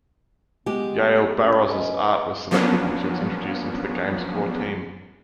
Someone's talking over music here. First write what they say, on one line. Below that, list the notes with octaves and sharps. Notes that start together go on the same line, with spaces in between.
Yaël Barroz's art was selected and she was introduced into the game's core team.
G#3 B3 G4
C#4
B4 D#5
F3 F#3 A#3 B3 C#4 D4